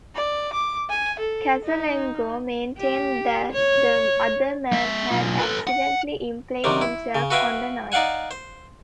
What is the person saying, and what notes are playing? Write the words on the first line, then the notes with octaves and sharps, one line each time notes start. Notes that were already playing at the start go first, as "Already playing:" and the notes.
Casalengo maintained that the other man had accidentally impaled himself on the knife.
D5
D6
G#5
A4
D#4
G4
C#5
G#3 E5
B1 F4
A4 B4
F#5
C3 D#3 F#3 G3
E4
C#3
F#4 B4 E5 F5 G5 G#5
D#4 D5 F5 F#5 G#5
C5